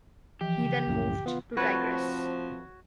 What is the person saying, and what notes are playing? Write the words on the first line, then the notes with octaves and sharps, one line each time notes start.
He then moved to Tigres.
E3 F3 G4
C#3
C2 F#2 A2
B3 F4
F3 A3 C4 F#4 B4 C#5